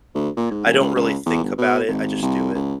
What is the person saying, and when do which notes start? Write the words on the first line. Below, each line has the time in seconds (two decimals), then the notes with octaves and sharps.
I don't really think about it, I just do it.
0.15 D2
0.37 A#2
0.51 G#2
0.66 E1
0.80 C#2
0.96 C#2
1.26 E2
1.44 G1
1.58 B2
1.88 G#1
2.23 C2
2.55 C#2